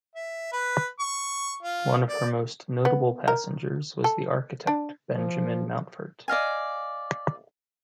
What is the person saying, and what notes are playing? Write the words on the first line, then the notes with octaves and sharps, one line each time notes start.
One of her most notable passengers was the architect Benjamin Mountfort.
E5
B4
C#6
F4
D5
B3
A#4
A4
D4
F3
D5 D#5 F5 G#5